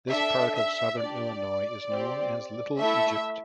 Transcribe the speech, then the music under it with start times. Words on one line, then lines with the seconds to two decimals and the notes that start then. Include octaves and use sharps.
This part of southern Illinois is known as Little Egypt.
0.11 D4 A4 E5
0.56 E5
1.00 D4 G4 D5
1.91 C4 G4
2.80 A3 E4 A4 E5